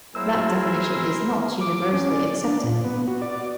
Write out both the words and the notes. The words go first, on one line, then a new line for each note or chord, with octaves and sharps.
That definition is not universally accepted.
F#3 A#3 E4 G#4 A#4 C5 E6
D6
C#4
D5
D4
A#2
B3
F#4
D5